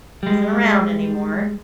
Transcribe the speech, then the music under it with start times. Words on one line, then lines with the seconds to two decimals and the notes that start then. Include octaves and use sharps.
isn't around anymore,
0.23 G3 G#3